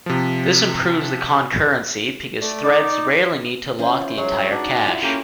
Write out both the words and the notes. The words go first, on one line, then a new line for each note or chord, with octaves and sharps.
This improves the concurrency, because threads rarely need to lock the entire cache.
C3 F3
A3 D5
D#4 D5 D6
E3 C#4 F4 C5
F#3 G#3 C#5
D4 D#4 F#4
E4 F4 E5 G#5
A#3 C#4 G4 A4